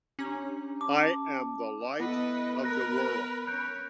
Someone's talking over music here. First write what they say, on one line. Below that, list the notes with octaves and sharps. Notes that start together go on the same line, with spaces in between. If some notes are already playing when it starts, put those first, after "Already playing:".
I am the light of the world.
C#4 D4 G4 A#5
A5 D6
B3 E4 A4 B4 D#5
A#4 B4 F#6 A#6
C#4 C#5 F#6 G6 D7